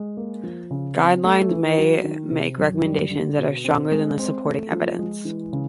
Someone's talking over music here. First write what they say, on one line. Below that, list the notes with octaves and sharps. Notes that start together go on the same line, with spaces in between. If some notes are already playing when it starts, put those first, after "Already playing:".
Guidelines may make recommendations that are stronger than the supporting evidence.
Already playing: G#3
A#3
F3
C#3
C4
A3
E3
F#3
D#3
C3
F#2
G3
D3
B2
C4
G#3
C4
A3
F3
G#3
E3
C#3